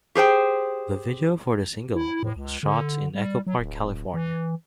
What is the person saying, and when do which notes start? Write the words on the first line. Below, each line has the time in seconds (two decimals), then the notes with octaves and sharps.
The video for the single was shot in Echo Park, California.
0.15 G4 G#4 C5 G5
1.95 E4
2.23 A2
2.36 C#2
2.63 D3
3.15 G3
3.47 F#3
3.59 D1
4.14 E3